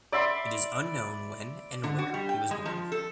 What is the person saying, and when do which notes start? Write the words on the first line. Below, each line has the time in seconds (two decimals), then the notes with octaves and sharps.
It is unknown when and where he was born.
0.12 D5 E5 B5 C6
1.84 D3
1.98 F#4
2.14 G3
2.29 G5
2.51 G#3
2.65 F3
2.92 A4